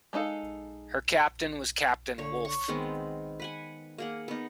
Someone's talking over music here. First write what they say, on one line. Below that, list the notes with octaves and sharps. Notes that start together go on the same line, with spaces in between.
Her captain was Captain Wulff.
G#3 A3 D#4 A4 F5
D3 C#5
C#6
D#3 G#3 B3 C4
B4 F#5 G#5
A#3 G#4 F#5
B3 D#4